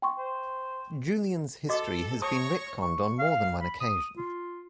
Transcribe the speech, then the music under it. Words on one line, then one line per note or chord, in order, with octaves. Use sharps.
Julian's history has been retconned on more than one occasion.
G5 C6 C#6
C5
F#4 A4 D#5 D6
C#5 A5 C#6 D#6 A#6
C#6
F5
B5
D#6
F4